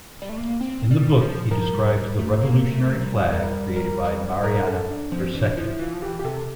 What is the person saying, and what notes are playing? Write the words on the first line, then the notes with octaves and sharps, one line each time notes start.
In the book he describes the revolutionary flag created by Mariana Bracetti.
G3
A3
A#3
C4
G3
F3
F3 A#4
G3
G3
A3
A#3
A3
F3
G3
G3 A#4
A#4
A#4
A4
D4
F3 C4
E3 D4
F3 E4
E3 F4
F3
E3 G4
G4
C3 A4